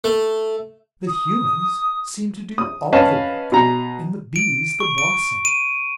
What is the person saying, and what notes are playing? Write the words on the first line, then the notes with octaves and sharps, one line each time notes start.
"The humans seem to do all the work, and the bees the bossing!"
A3
D#6
D#6
C#4 B4 D#5 F5 A5
B2 A#5
D7
C#6
D7
D#7